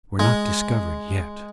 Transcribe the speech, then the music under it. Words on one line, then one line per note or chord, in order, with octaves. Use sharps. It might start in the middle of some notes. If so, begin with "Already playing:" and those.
We're not discovered yet.
G#3